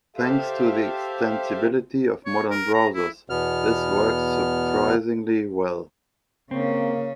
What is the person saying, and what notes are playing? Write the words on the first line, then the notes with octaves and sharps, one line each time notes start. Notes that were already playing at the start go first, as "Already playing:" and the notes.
Thanks to the extensibility of modern browsers, this works surprisingly well.
G4 A4 C5 E5 F5
C#5
A#4
A#5
E4
E2 B2 B3 F6
C#3 A#3 C4 C#4